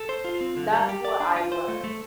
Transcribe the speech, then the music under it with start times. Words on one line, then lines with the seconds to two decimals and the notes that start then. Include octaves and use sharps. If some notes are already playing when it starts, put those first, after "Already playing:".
That's what I've learned.
Already playing: A4
0.09 C5
0.25 F4
0.41 C4
0.57 D3
0.73 G3
0.89 G4
1.05 D5
1.20 D4
1.36 F4
1.52 C5
1.68 A3
1.84 A3